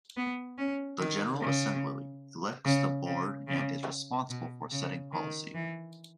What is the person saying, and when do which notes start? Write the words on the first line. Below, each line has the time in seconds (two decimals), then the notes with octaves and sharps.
The General Assembly elects the Board and is responsible for setting policy.
0.17 B3
0.58 C#4
1.00 D#3
1.41 C#3
2.65 C#3
3.06 C#3
3.48 C#3
4.30 B2
4.71 C#3
5.13 D#3
5.54 E3